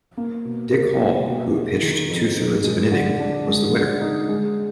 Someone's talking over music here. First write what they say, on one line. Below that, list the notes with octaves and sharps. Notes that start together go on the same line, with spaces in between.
Dick Hall, who pitched two-thirds of an inning, was the winner.
A#3
B2
A#4
A#3
B2
G#4
D#3
F2
D#4
G#3
D3
D4
G#3
D3
D#4
G#3